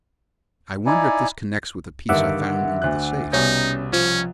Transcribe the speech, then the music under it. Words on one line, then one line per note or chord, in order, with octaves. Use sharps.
"I wonder if this connects with the piece I found under the safe?"
D#4 E4 D5 G#5
G2 D3 D#3 E5 F#5 D6
D2 F#6
C2 B2 C#4 D#4
F3 C#4